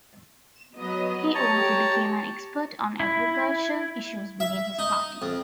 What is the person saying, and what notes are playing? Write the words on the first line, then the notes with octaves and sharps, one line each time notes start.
He also became an expert on agricultural issues within his party.
F#3 B3 D#5
G4 C#5 A5 A#5
E4
E5
D#4
F2